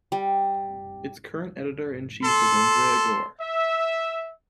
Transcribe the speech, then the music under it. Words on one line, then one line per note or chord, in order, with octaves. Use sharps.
Its current editor-in-chief is Andrea Gore.
G3
A4 C6
E5